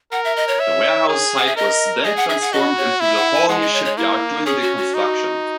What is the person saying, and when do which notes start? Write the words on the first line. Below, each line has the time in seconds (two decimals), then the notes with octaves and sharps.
The warehouse site was then transformed into the Hawley Shipyard during the construction.
0.12 A#4 F#5
0.25 E5
0.37 D#5
0.48 C#5
0.60 E5
1.09 G#4
1.38 F#5
1.47 E5
1.56 A#4 D#5
2.05 G#4 D#5
2.17 F#5
2.29 E5
2.42 F#5
2.53 F#4 D#5
2.78 C#5
3.01 E4 E5
3.17 F#5
3.34 G#5
3.49 G#3 F#5
3.62 D#5
3.74 C#5
3.85 C#5
3.97 A#3 E4
4.46 C#4 G#4
4.62 F#4
4.77 F#4
4.94 D#4